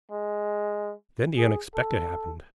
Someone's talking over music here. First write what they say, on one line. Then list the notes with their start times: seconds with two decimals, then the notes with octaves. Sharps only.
Then the unexpected happened.
0.11 G#3
1.38 G#4
1.75 A4